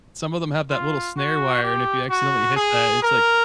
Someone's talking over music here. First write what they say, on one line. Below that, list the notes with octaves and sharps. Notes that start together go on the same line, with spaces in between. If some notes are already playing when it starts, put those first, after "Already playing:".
some of them have that little snare wire, and if you accidentally hit that, it's like,
F4
F#4
G4
F#4
G#4
A#4